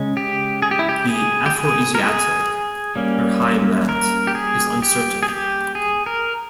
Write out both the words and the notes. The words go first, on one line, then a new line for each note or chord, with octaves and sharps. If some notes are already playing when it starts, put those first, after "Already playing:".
The Afroasiatic Urheimat is uncertain.
Already playing: C#3 G#3 C#4
G4
G#4
G4
E4
G4
G#4
G4
G#4
A#4
G#4
G3 A#3 C#4
A#4
G4
G#4
G4
G#4
G4
G#4
A#4